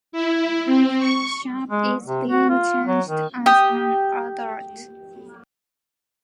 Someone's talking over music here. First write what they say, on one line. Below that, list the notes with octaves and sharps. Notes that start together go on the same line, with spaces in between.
Sharpe is being charged as an adult.
E4
C4
C#6
G#3
C3
F#4
F4
F#3
D#3
G4 D#6